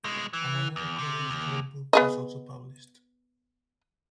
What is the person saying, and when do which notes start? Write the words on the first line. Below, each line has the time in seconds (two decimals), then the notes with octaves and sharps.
An annual "Collier's Year Book" was also published.
0.04 B2 G#3
0.33 E3
0.76 E2
0.99 C3
1.30 D#2
1.93 B3 G#4 D#5